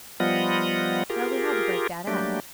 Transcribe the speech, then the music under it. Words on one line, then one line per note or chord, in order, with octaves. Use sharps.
Well, we had to break that up.
F3 G3 B3 F4 D#5 F#5
F4 G4 G#4 A#4
F#3 G3 A3 A#3 D4 G4